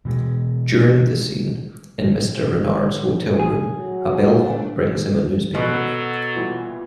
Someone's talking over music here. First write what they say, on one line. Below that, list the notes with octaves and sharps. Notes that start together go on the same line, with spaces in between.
During the scene in Mr. Renard's hotel room, a bellhop brings him a newspaper.
B2 E3 G#3
A3 G#4
F#3
A3 D4
B2 F#3 A4
A#2 E3 G3